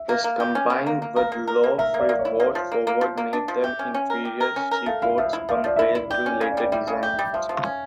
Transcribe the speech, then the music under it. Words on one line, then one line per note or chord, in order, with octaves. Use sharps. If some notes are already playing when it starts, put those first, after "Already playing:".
This combined with low freeboard forward made them inferior seaboats compared to later designs.
Already playing: E5
A#3
A#3
G4
C#4
A#3
A#3
A#3
A#4 F5
A#3
A#4
A#3
A#4 E5
A#3
D5
A#3
C#5
E4
A#3
F3
A#3
A#3
F3
A#3
D4
F3
G4 E5
C#4
C#4
A#4
G4
A#4
C#4
A#4
A3 F5
E4 F5
F3 E5
E4
F3 F5
E5
F3 D5
E4 E5
E4
G4 D5
C#4
C#5
C#3
D5
G3
D5
G3 E5
C#3 F5
E5
G4
E5
G3
F3 E5
F3
F5
C#4